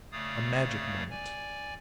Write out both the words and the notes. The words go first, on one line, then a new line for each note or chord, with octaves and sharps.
A magic moment.
C#3 A3 C#5 D5 F5 D#6
D5 G#5